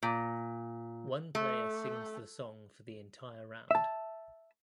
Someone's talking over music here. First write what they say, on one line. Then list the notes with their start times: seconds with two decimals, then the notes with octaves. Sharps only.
One player sings the song for the entire round.
0.03 A#2
1.35 A3
3.71 E5 A5